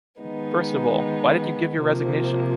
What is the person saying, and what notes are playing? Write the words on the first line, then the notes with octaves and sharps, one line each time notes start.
First of all, why did you give your resignation?
D#3 G#3 B3 D#4
C3 F3 A#3